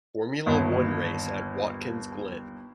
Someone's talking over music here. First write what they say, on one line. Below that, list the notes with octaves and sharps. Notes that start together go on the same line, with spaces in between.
Formula One race at Watkins Glen.
G1 D#2